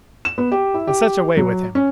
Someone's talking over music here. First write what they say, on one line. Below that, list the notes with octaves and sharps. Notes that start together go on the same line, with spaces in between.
And such a way with him!
E7
B3
G4
E4
G4
F#3
C#4